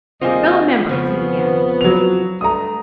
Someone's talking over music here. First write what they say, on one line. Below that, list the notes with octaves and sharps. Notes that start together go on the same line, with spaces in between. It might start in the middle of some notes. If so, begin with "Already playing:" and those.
"Fellow members," he began.
D#2 A#2 G3 C4 D#4 F4 G#4 D#5
F2 C#3 F3 B3
F#3 F7
G2 D3 A3 A#5 D#6